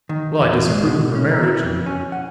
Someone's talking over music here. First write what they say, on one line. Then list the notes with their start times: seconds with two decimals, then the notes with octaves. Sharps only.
Well, I disapprove of her marriage.
0.09 D#3
0.40 E2
0.68 G#3
0.86 B2
1.15 C#4
1.32 A#5
1.43 E4
1.63 F2
1.86 C#4
2.12 F#5